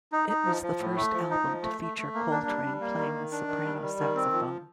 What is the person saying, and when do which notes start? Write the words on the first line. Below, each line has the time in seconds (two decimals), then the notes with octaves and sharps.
It was the first album to feature Coltrane playing soprano saxophone.
0.12 D#4
0.29 D#4
0.46 F3
0.63 F3
0.79 A2
0.97 A3
1.14 F3
1.30 D#4
1.47 F3
1.63 A3
1.81 A3
1.98 A3
2.14 A#3
2.31 D4
2.47 G3
2.65 G3
2.81 A#3
2.98 D#3
3.14 D#3
3.32 D4
3.48 D#3
3.65 G3
3.82 G3
3.99 D#3
4.15 C4
4.32 F3